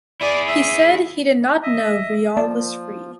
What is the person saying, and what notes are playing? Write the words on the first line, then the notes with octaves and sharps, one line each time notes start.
He said he did not know Ryal was free.
E4 G#4 D5
E5
D#5 E5 D#6
F3 A#3 D5 A5